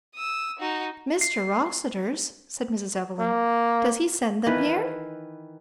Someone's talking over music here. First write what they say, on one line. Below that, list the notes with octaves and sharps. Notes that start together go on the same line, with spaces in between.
"Mr. Rossitur's!" said Mrs. Evelyn;--"does he send them here?"
D#6 E6
D#4 F#4
C7
A#3
D#3 E3 B4